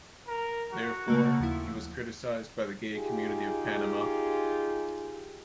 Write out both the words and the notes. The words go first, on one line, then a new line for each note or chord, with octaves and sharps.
Therefore, he was criticized by the gay community of Panama.
A#4
F#4
C#3 A3 A#3
D#2 F3 E4
D#4 F4 G4 G#4